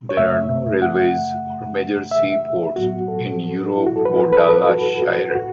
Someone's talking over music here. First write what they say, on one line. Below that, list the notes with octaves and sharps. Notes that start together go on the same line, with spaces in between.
There are no railways or major seaports in Eurobodalla Shire.
C#5
F#2 C#3 A3 E5
F#5
E5
A2 F#3 B3 F#4
A4
E4
F#4
A4
B4
B4
A4
F#4
F#4
A2 F#4